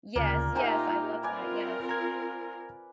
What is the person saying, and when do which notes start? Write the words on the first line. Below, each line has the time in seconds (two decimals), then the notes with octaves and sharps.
Yes, yes, I love that, yes.
0.16 D2 A#2 C#3 A#3
0.55 D#4 F4 G4 C5 E5 G5 G#5 A#5
1.23 C4 F4 A#4 B4 D5 G#5
1.89 A#5 G#6